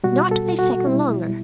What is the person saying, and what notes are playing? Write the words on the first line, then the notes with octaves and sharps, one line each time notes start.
"Not a second longer."
B2 G3 F#4
A4
F#4
B2 G3 E4